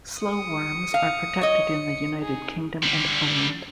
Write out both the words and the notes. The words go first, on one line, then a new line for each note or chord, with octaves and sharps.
Slowworms are protected in the United Kingdom and Poland.
D#6 C#7
F5
C#5 D#5
D#4 G#4
D3 G3